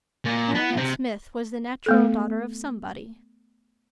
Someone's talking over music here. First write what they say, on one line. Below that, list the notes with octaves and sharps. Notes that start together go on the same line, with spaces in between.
Harriet Smith was the natural daughter of somebody.
A#2
B3
C3
A3 B3 A4